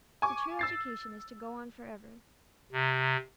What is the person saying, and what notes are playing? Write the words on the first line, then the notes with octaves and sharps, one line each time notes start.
The true education is to go on forever.
G#5 C#6 D6
E6 A6 C7
C3